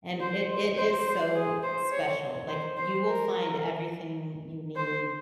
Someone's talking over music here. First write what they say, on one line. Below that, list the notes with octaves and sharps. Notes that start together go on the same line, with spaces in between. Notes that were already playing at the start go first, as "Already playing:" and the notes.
and it it is so special, like, you will find everything you need,
C5
C5
C5
G#4
C5
C#5
C5
C5
A#4
C5